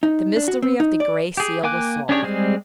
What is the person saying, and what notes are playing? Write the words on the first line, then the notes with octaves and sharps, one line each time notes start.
The mystery of the Gray Seal was solved!
D#4
D4
F#4
C4
D#4
D5
G4 G#4
A#3 G5 G#5 D6 F#6
C#4 D4 G4 G#4 C#5
G3 G#3 C4 G#4